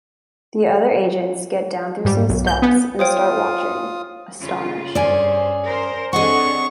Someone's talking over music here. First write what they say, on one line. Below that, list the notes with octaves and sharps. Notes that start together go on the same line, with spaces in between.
The other agents get down through some steps and start watching, astonished.
G#2 G3
B1
G6
B3
F4 C5 C#5 G5 D#6
C#3 F4
G2 C#4 G#4 C5 D5 G#5
A#4 C5
C4 D4 G#4 C#5 D#5 F#5 C#6